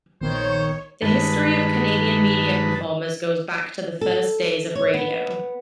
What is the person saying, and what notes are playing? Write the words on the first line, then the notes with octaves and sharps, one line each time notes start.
The history of Canadian media performers goes back to the first days of radio.
A#1 D#3 B3 C5 C#5
G2 D#3 G#3 B4 A5
A4
C#5
B3